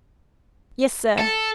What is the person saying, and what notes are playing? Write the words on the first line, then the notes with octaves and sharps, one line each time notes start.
"Yes, sir."
A4